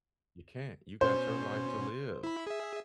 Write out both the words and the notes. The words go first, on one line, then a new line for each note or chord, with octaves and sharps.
You can't. You got your life to live.
B2 C#4 C5
E4 B5
G#4 E5